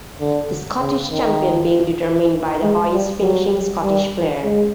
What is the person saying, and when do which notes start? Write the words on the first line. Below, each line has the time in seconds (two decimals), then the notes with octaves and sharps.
The Scottish Champion being determined by the highest finishing Scottish player.
0.20 D3
0.81 C#3
1.11 D#3
2.62 G#3
2.92 G3
3.22 F#3
3.83 G3
4.44 G#3